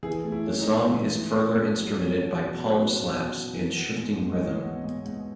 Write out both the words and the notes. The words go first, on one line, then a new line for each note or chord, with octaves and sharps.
The song is further instrumented by "palm slaps" and shifting rhythm.
E3 G#4
A3
E4
C#4
D#4
G#2
E3 E4
A3
C#4
G#2
F#3
C#4
B2
B2
F#3 B4
C#4
B2
B2
E3
B3
G#2
G#2
D#5
E3 C#5
B3
G#2
G#2